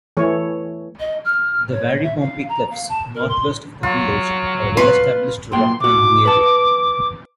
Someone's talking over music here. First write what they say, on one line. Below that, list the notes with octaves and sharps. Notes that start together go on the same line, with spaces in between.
The Varympompi cliffs, northwest of the village, are a well-established rock climbing area.
E3 A3 C#5
D#5
F6
C#5
E5
F5
A#5
F5
A5
A#4
C6
F#3 F4
B4 C6
B1 A#2 G5 C6
C3 F#4 D6
B4 A5